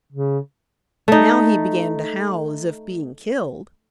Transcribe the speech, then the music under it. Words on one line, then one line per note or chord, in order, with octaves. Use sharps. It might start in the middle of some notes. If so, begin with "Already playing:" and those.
Now he began to howl as if being killed.
C#3
A3 D#4